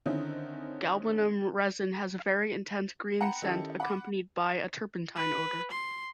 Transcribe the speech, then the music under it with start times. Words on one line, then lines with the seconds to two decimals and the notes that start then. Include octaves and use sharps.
Galbanum resin has a very intense green scent accompanied by a turpentine odor.
0.06 D3 D#3 C4 C#4 D#4 E4
3.21 F#5 G5 A#5 B5 C#7
3.42 D#3 C#4 D#4 E4 G4 A4
3.80 F#5 B5 D6
5.16 B4
5.71 C6